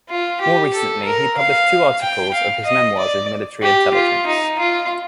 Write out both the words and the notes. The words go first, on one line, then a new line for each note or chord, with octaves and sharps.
More recently he published two articles of his memoirs in military intelligence.
F4
G4
A4
A#4
F5
G5
F5
D#5
D5
G4
F4
D#4
F4